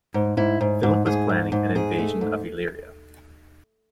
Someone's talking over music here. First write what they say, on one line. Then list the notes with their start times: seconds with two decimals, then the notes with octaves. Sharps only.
Philip was planning an invasion of Illyria.
0.14 G#2
0.37 G#2 E4
0.61 G#2
0.83 G#2
1.06 G#2 G#4
1.29 G#2
1.52 G#2
1.75 G#2 G#4
1.98 A3
2.21 G#2